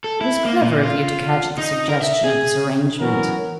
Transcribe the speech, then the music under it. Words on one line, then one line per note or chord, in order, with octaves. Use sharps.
It was clever of you to catch at the suggestion of this arrangement.
A4
E4
A#3
A#2
F4
D#4
A#4
E5
G#4
E3 F#3 B3 C#4 A#4